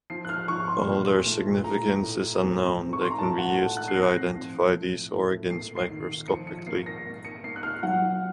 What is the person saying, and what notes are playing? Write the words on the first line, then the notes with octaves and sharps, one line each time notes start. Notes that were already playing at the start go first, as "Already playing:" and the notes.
While their significance is unknown, they can be used to identify these organs microscopically.
F3 C7
F#6
F6
F3 C#6
C6
A#2
A3
A2 A#5
A2
C4
C4
C#6
C6
A#5
A2 A5
F#5
A2 A5
F#6
C7
C4 A#6
F3
A2
A2
A#3 C7
C7
D#3
F3 C#7
C#7
A#3 C7
A#6
A#3
C#7
A#3 C7
F#6
F6
F#3 F#5